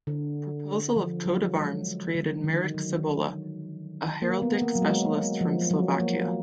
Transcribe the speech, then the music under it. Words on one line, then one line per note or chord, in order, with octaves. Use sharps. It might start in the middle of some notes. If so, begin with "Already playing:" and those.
The proposal of coat of arms created Marek Sobola, a heraldic specialist from Slovakia.
D3
F3
F#3
G#3
D3
D#3
F#3
A#3
B3
A#3
F#3
G#3
F3
F#3
A#3